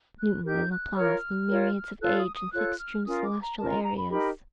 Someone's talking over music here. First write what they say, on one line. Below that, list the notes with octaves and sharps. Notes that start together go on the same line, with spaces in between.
Newton and Laplace need myriads of age and thick-strewn celestial areas.
F#6
D#4 G4 A#4 G6
F#6
F4 A#4 C#5 F6
F4 A#4 C#5
F4 A4 C#5 F#6
D#6
D#6
F4 A4 C#5 F#6
F6
C#4 F4 A#4 D#6
D6
A#5
C#4 F4 A#4 A5
A#5
A#5
B5
D#4 G4 A#4 B5